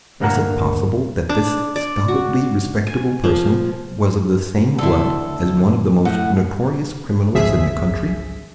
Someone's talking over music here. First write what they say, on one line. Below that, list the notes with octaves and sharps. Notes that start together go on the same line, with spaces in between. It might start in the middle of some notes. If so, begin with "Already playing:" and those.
Was it possible that this stolidly respectable person was of the same blood as one of the most notorious criminals in the country?
D2 G2 A#3 A#4 F#5 A#5
D4
D5
F#4
G#5
F3
D2 E4 A4 C6
A2 F#5
G#1 C#2 F3 G#4 E5 B6